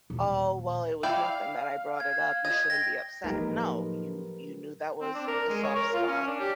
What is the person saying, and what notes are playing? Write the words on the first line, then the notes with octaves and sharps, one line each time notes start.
oh well, it was nothing that I brought it up, you shouldn't be upset. No, you you knew that was a soft spot,
D#1
E4 D5 F5 G5
G#6
D#5 G#6
G5 A#6
A2 F3 F#3 A#3 D#4 G4 A#4 B4
C4
D4
A#4
G#3
C#5
A#4
F4
C#4
D4
G4